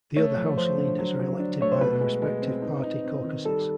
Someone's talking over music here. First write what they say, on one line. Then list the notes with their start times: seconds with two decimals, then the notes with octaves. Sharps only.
The other House leaders are elected by their respective party caucuses.
0.17 A3 C#5
0.36 F3
0.58 F3 C5
0.78 D3
0.99 F#3
1.19 F#3
1.40 D4
1.61 A3 C#5
1.72 C5
1.81 B2 B4
2.01 G#3
2.22 G#3
2.42 C4
2.62 D#4
2.83 D#4
3.04 C4
3.25 D#3
3.45 G3 A4